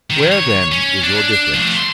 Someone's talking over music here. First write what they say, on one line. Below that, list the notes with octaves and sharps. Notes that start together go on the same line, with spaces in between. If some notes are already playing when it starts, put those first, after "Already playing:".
Where, then, is your difference?
D#3
C#5
C#4
D4
F3 A3
C6